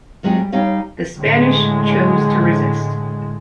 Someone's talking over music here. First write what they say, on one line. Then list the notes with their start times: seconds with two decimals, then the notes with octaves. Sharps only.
The Spanish chose to resist.
0.23 F2 F#3 G#3 G4 G#4 D5
0.38 G3
0.52 G3 D#4 G4 C#5 F5
1.16 A2 D3 G#3